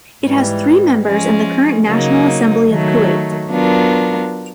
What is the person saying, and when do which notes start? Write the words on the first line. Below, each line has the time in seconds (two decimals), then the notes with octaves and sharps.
It has three members in the current National Assembly of Kuwait.
0.24 G#2 E3 G3
1.06 F3 G#3 C#4
1.88 C#3 F#3 A#3 D#4
2.69 D#3 F#3 A3
3.51 F#3 B3 D4 F4 A#4